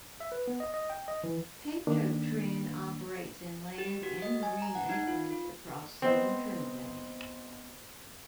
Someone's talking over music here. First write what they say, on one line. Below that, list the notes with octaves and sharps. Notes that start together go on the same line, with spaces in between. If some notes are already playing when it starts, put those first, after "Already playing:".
Petrotrin operates in land and marine acreage across southern Trinidad.
E5
B4
B3
D#5
D#5
G5
D#5
E3
D#3 A#3 D4
G4
F#4
D#5
G#5
A#5
F#5
D#4
F4
F4
B3 C4 C5 D#5